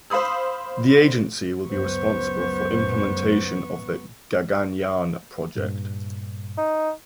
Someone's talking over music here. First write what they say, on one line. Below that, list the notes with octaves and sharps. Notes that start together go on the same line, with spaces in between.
The agency will be responsible for implementation of the "Gaganyaan" project.
C5 F5 B5 D#6 E6
C#2 F#2 B3 C5 C#6
G2 A#2
D#4